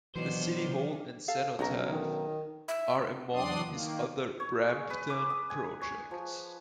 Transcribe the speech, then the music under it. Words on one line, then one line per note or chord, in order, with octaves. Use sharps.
The City Hall and Cenotaph are among his other Brampton projects.
B2 D#3 E3 F#3 D4 C5
A4 F5
B1 C#4 D4 A#4
D#3
E5
E2 F#3 D4 D5 C6 D#6
D#3 A#3
C#5
G#3
B4
D6
D#6
G#5
C#5
F3